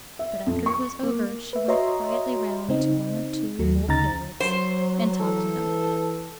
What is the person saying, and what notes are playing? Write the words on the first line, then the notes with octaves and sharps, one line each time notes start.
But after it was over, she went quietly round to one or two old favourites, and talked to them a little.
E5
F2
C#6
A#3
B4 E5
F#4 C#5 D#5 E5 A#5 C6
C#3 C4 D#4
D#2 F#3 A3
D2 C#3 D#4 A#5 A6
F#3 C5
E3 A4